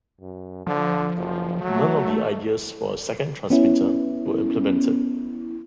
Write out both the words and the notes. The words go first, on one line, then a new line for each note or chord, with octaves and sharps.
None of the ideas for a second transmitter were implemented.
F#2
D3 F3
F#1
F#3 A3
A3
B3 C#4 E4